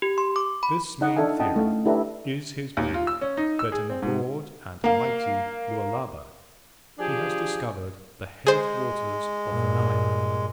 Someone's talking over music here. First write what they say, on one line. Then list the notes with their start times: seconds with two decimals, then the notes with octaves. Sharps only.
This main theory is his belief that in the broad and mighty Lualaba he has discovered the head waters of the Nile.
0.02 G4
0.18 C6
0.36 D6
0.63 B5
1.01 D#4 D#5 F#5
1.16 D4 E4 A4 E5 F5 G#5
1.40 C#4 E4 D#5 F#5 G5 A5
1.56 A3 F5
1.85 D4 E4 G4 A4 B4 A#5
2.77 D#2
2.94 F4
3.07 E6
3.21 C#4
3.37 D#4
3.59 E6
3.72 G#4
3.90 C4
4.02 G#2
4.84 A#3 F5
6.98 F3 D4 G4 G#4
8.47 G#3 G#4 C5
9.48 G2 A#2